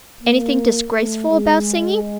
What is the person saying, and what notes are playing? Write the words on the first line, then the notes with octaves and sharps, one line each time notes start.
"Anything disgraceful about singing?"
A#3
A3
G#3